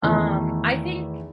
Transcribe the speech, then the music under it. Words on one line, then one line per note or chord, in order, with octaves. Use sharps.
Um, I think
E2 D#3 A3 E4